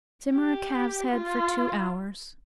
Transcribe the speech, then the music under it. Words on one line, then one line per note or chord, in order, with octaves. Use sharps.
Simmer a calves' head for two hours.
G4
F4